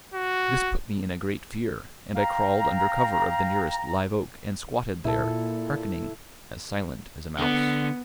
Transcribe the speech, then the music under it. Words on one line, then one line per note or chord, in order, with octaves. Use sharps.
This put me in a great fear, and I crawled under cover of the nearest live-oak and squatted there, hearkening, as silent as a mouse.
F#4
F5 G5 A#5
A#2 E4 A4
D3 B3